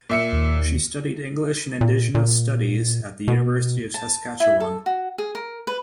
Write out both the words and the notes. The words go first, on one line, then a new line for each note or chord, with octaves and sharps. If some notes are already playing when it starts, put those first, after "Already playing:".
She studied English and Indigenous Studies at the University of Saskatchewan.
A#2 E5 C#7
D#2
A#2
A#2
B2
A5
E4
A4
F#4
G#4
A#4
B4